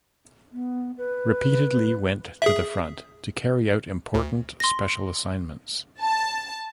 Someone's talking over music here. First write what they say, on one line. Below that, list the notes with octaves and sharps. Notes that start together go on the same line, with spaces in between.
Repeatedly went to the front to carry out important special assignments.
B3
B4
G#4 E5
D2
C6 A#6
A5